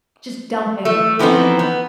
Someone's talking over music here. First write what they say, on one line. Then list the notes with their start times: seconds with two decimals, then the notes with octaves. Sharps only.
just dumping it?
0.85 A3
1.19 E3 F3 B3 C4 D#4
1.59 B3